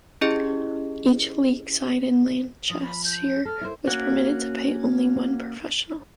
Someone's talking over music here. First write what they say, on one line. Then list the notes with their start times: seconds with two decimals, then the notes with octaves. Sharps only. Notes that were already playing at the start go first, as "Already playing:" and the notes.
Each League side in Lancashire was permitted to pay only one professional.
0.21 C#4 E4 G4 G#4 D#5
2.70 F3 D#6
2.83 B5
3.05 G6
3.45 A4 F6
3.61 E4 A#4 C5
3.87 A#3 C#4 F#4 F#5